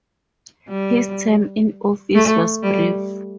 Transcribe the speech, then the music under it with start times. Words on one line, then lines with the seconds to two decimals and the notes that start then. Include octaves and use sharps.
His term in office was brief.
0.69 G3
2.14 A3
2.63 G3